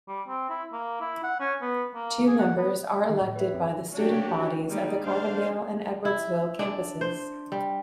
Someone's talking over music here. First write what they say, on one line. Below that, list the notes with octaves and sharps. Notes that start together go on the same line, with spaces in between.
Two members are elected by the student bodies of the Carbondale and Edwardsville campuses.
G3
C4
E4
A#3
E4
F#5
C#4
B3
A#3
G#4
F#5
B3
D#3
A2
B4 C#5 E5
F#2 C4 G#4
F#3 C#4 D4 F#4 G4
D#3 G3 G#3 A#3 D#4
D4 C5 F5
E4
D4
C5
G3